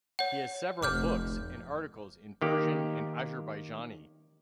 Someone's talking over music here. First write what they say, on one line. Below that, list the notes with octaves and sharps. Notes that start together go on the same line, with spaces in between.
He has several books and articles in Persian and Azerbaijani.
C#5 F#5
F1 D6 F6 G6
D#3 A#3 G4